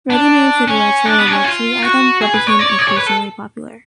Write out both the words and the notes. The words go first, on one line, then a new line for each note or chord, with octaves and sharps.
Readymade cigarettes were a luxury item, but became increasingly popular.
D4
C#4
D4
B3
D4
C#4
F4
F#4
G#4
B4
C#5
D5
C#5
D5
C#5
B4
A4